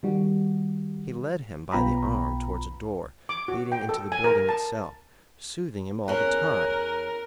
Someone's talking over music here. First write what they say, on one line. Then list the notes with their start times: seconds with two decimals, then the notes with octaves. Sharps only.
He led him by the arm towards a door leading into the building itself, soothing him all the time.
0.03 D#3 G3 F#4
1.72 B1 B3 F4 G5 A#5 B5
3.29 D6
3.48 F#4
3.72 G5
3.89 A4
4.12 G#5
4.24 A#4
4.49 A5
6.08 E2 C#4 A#4 C#5 F#6